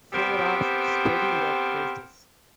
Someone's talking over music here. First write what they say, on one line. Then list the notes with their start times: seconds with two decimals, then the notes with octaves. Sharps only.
Four hours of steady work faced us.
0.12 B3 C4 G4 A4 A#4 C5